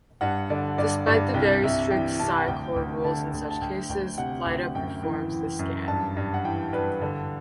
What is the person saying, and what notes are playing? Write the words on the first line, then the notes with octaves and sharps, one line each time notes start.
Despite the very strict Psi Corps rules in such cases, Lyta performed the scan.
G2 F#5
D3 D5
G2 D5
G2 D5
C2 G5
C2 E5
E3 G5
C3 A5
F#5
D2 G5
D2 G5
D3 A5
D2
A5
D2 G5
D2 G5
C3 F#5
D2
F#2 G5
E3
E3
F#2
G2 A5
G2
F#5
E3 G5
G2 B4
D3